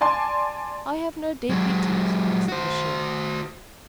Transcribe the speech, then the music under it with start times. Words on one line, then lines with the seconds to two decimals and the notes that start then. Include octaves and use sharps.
"I have no deputies," answered the sheriff.
0.01 D5 G#5 A5 C6
1.50 F#3 G#3
2.48 F#4 C5